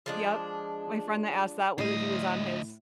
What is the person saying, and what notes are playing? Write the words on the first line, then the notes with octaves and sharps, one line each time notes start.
Yep. My friend that asked that, whether he was on his
F3 G#3 D4
D2 A2 C5 D#5